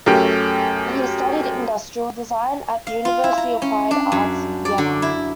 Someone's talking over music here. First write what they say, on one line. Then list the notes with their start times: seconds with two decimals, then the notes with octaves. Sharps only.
He studied industrial design at the University of Applied Arts Vienna.
0.06 F#2 A3 C#4 G4 A#4 G5
2.87 F5
3.05 F4
3.24 E4
3.37 A#5
3.62 C#4
3.91 D4
4.12 F#2
4.65 D5
4.78 D3
5.02 E4